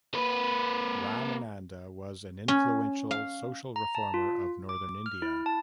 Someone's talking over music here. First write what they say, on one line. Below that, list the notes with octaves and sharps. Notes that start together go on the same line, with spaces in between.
Ramananda was an influential social reformer of Northern India.
A#3 B4
C#4
F5
A#5
A5
F4
D6
F6
E4
A5